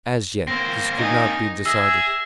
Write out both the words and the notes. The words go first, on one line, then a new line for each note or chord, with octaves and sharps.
As yet, this could not be decided.
A#3 C4 C5 A#6
D#4 G#5
G#4 E5 E6 A#6